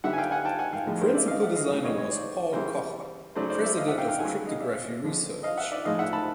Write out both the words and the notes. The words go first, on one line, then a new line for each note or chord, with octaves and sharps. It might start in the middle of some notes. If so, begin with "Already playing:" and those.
The principal designer was Paul Kocher, president of Cryptography Research.
D3 G3 E5 F#5
G#5
F5 G5
F#5 G#5
G5 A5
F#5 G#5
F5 G5
A2 F3 G#3
A#4 C5
D5 E5
D#5 F5
E5 F#5
D#5 F5
A2 E3 G3
C#5 D#5
C#5 D#5
C5 D5
C#3 E3 G3 A#4 C5
C#3 F#3 A3 C5 D5
C5 D5
D5 E5
D#5 F5
E5 F#5
F5 G5
F5 G5
C#3 F#3 A3 F#5 G#5
D#5 F5
D5 E5
D3 F3 G#3
D#5 F5
E5 F#5
D5 E5
A2 F3 G#3 D#5 F5
E5 F#5
A5 B5